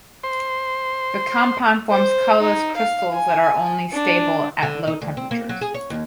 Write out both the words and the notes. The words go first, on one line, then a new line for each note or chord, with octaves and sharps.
The compound forms colorless crystals that are only stable at low temperatures.
C5 C6
C5
D#4
F5
G#5
D4
D3
D#4
D2
C4
A#3
F#3
G#4
C#5
D#2